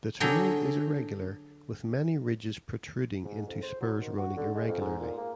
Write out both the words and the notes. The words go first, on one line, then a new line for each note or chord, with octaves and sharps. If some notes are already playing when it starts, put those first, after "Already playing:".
The terrain is irregular with many ridges protruding into spurs running irregularly.
D3 F#3 G#4 A4 G5 A#5
G#2
F2
C5
F#3
D#3
F#4
D3
G#3
F2
G#2
A#2
A#3